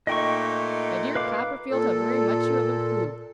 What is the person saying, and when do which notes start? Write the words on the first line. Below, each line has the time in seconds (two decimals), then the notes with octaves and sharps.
My dear Copperfield, how very much you have improved!
0.07 A#2 A3 D#4 D#5 G5 C#6
1.15 B4 F5 D6
1.70 A#2 A4